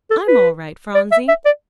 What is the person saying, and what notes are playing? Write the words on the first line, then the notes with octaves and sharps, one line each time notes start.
I'm all right, Phronsie.
A4
B4
D5
E5
E5
D5